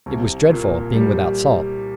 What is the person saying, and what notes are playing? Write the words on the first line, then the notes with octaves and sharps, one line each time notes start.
It was dreadful, being without salt.
C2
A#2
G3